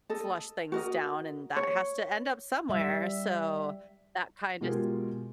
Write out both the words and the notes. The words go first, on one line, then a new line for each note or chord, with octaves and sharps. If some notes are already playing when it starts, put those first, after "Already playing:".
flush things down and that has to end up somewhere, so that kinda s
A4 D#5
F#4 A#4 D#5
C#5
G3 E5
B2 G#3 F4 G4 G#4 A#4